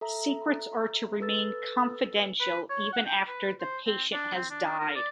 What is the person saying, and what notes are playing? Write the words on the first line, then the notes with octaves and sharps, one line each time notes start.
Secrets are to remain confidential even after the patient has died.
A4 E5 A#5
A4 B4 E6 A6
B4
C#5
F#5
G5
B4
C5
C4
D4
C4
D4
A#4
D5